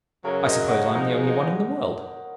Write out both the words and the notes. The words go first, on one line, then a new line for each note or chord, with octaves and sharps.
I suppose I am the only one in the world.
F#2 C#3 F#3 A#4 C#5
C5 D#5
D#5 F#5
F3 G#3 D#4 G#4